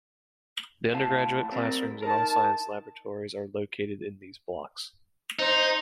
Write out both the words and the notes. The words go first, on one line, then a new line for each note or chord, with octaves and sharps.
The undergraduate classrooms and all science laboratories are located in these blocks.
A2 F5 A5
G3 C4 A#4
D#4 A#4 A5
D#4 C5